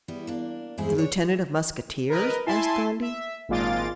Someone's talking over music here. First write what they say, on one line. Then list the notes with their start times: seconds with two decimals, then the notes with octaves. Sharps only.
"The lieutenant of musketeers?" asked Gondy.
0.08 G3 B3 E4
0.27 A#3 D4
0.78 E2 G2 G#3 C4 E4 G#4
0.98 D4 C#5
2.10 A#4 B4 D#5
2.47 E4 G#5 A5 C6
3.02 E5
3.49 G#1 A#2 G#3 F4 D6 A6